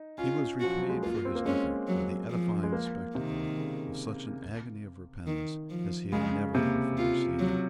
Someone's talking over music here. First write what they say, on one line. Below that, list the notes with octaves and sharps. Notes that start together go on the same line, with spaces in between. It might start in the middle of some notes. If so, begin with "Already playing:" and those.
He was repaid for his effort by the edifying spectacle of such an agony of repentance as he had never before seen.
Already playing: D#4
C#4 F4
F3 F#4
F#3
G#3
A#3 F4
C4
A#3
G#3 C#4
F#3
F3
G#3
A#3
C3 D#3
C#3
D#3
F3
C#3 G#3
C3 A#3
F4
F#3